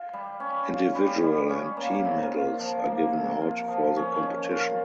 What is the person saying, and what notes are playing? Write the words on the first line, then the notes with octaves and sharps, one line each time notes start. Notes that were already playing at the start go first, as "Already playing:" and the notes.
Individual and team medals are given out for the competition.
Already playing: F4
G3
C#4
F4
G3
G3
C#4
A#3
C3
F4
F3
A#3
C3
F4
F3
C#4
D#3
F4